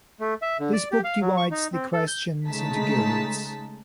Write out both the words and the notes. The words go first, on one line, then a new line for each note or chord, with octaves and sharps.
This book divides the questions into guilds.
A3
E5
D3
D5
G4
F5
F#3
C#6
D#4
C4
A4
G6
C#3 G#3 A3 D#4 A5 B6